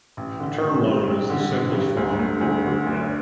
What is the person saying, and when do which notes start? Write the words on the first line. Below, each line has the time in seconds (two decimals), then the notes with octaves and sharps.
A term loan is the simplest form of corporate debt.
0.17 A1
0.40 D3
0.62 A1
0.85 G2
1.07 A1
1.30 D3
1.52 A1
1.74 G2
1.97 D2
2.19 A3
2.41 D2
2.64 D3
2.87 D2